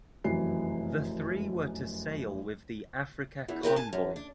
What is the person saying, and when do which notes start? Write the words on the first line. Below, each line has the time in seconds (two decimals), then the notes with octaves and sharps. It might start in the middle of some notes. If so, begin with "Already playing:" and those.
The three were to sail with the Africa convoy.
0.24 F1 F#2 E3 F#4 C7
3.48 E2 E3
3.63 C4 G4 A#4 B4
3.76 G#5 A5
3.93 F#2
4.16 D4